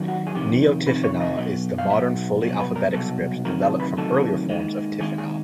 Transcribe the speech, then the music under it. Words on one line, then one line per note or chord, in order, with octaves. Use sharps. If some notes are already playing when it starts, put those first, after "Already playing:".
Neo-Tifinagh is the modern fully alphabetic script developed from earlier forms of Tifinagh.
Already playing: D#2 D#3 F#3
F#4
G#4
F2 C3 D#3 G4
F2 C3 D#3 B4
C#5
D#5
B1 B2 F#3
F5
B1 B2 F#3 E5
C2 B2 F#3
B4
A#4
C2 B2 F#3 A4
D2 C3 D#3 F#3 A#4
A4
B4
D2 C3 D#3 F#3 A4
D#2 D#3 G#3
D#2 D#3 G#3 G#4
G#4